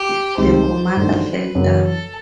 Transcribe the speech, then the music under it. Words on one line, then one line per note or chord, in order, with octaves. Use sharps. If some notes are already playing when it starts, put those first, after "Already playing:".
The commander fell down.
Already playing: G4
C#2 C3 D#3 G3 C4 C5
G2 D#3 F#3 A3 D4
B4
F#2 C#3 F#3 A#3 C#4
A4